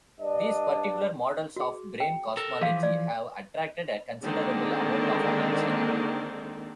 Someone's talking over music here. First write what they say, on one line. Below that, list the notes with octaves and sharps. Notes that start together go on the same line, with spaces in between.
These particular models of brane cosmology have attracted a considerable amount of attention.
G2 D4 D#5
F#4 G#4
G5
A4 A#4
E3 F3 G#4 F5
D5
D3 D#3 G#3 A#3 C4 D4